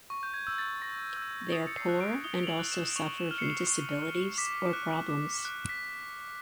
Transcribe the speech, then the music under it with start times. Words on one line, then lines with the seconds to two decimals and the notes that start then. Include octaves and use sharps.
They are poor and also suffer from disabilities or problems.
0.10 C#6
0.23 G6
0.34 G#6
0.47 E6 G6
0.58 A6
0.82 C#6 A#6
1.17 E6
1.22 G6
1.52 D#6 A6
1.67 C#7
1.77 C7
1.89 F#6
2.00 D7
2.24 D#6 G7
2.43 F7
2.47 F#7
2.59 F#6
2.72 E7
2.95 C#6 F7
3.18 E7
3.31 F6
3.38 C#7
3.42 C7
3.67 C#6
4.02 F6
4.38 D6 B6
4.73 F#6
5.09 D6
5.45 F#6
5.69 B6